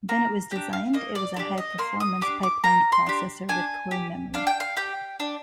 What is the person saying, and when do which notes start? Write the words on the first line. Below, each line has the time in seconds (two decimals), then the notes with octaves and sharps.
When it was designed, it was a high-performance pipelined processor with core memory.
0.09 A#3 A#5
0.51 D4 G4 G5
0.73 F5
0.93 A#3 D#5
1.15 D5
1.36 D4 G4 D5
1.58 D#5
1.78 A#3 C6
2.00 D#6
2.21 D4 G4 D6
2.43 D6
2.64 A#3 A#5
2.92 C6
3.07 D4 G4
3.49 D4 G#5
3.91 G4
4.34 D4 F5
4.47 G5
4.60 F5
4.77 G4 G5
5.20 D4